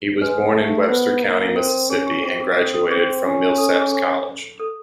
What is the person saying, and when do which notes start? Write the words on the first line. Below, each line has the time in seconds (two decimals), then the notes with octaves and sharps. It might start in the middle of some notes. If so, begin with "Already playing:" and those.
He was born in Webster County, Mississippi and graduated from Millsaps College.
0.21 G#3 B4 C#5
0.55 A3
0.89 B3 C5
1.22 A#3
1.56 C4 A#4
1.67 A#4
1.90 C#4 G#4
2.07 G4
2.23 C4 G#4
2.40 G#4
2.57 A4
2.74 A4
2.91 C4 G#4
3.25 C#4
3.58 A4
3.69 A4
3.80 G#4
3.92 G#4
4.60 A4